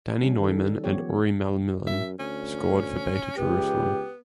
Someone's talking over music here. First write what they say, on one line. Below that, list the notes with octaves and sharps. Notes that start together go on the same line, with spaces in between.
Danny Noyman and Uri Malmilian Scored for Beitar Jerusalem.
G3 C#4
D#3 A4
F3 B3 G4 C#5
F#2 E5
D2 C#4
C#2 B3 G4